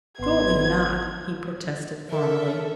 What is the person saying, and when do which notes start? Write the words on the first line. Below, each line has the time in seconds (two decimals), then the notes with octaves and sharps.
'Surely not!' he protested formally.
0.19 G#1 B3 C6 G#6
2.10 A4 A#4 E5